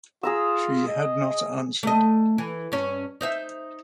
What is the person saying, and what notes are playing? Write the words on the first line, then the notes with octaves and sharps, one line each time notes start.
She had not answered.
F4 G#4 A#5 E6
D#5
A3 D#5
E3
G2 C#4
D#4 C5 E5